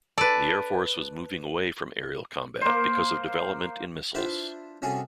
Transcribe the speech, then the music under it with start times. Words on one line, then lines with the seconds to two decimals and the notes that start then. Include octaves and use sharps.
The Air Force was moving away from aerial combat because of development in missiles.
0.18 A4 B4 D5
2.61 A#3 C5
4.14 D4 E4 F4 B4 C5 D5
4.82 C2 C#4 F#4 G#4 A4 G#5